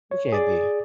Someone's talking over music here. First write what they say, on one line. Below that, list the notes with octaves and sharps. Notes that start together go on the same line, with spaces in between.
It can be.
C#5
G#4 D5